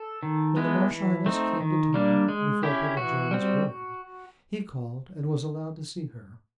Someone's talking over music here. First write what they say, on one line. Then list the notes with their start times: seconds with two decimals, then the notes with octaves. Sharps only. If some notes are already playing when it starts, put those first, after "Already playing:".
When the Marchioness came to town,--before Popenjoy was born,--he called, and was allowed to see her.
Already playing: A4
0.23 D#3
0.57 G#3 B3 E4
0.90 E3
1.26 A3 C4 D#4
1.60 D#3
1.94 G3 A#3 D4
2.28 G#3
2.63 C#4 E4 G4
2.97 E3 F#4
3.31 G3 C4